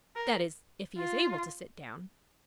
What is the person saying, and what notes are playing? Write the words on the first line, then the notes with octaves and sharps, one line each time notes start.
That is, if he is able to sit down.
A#4
F4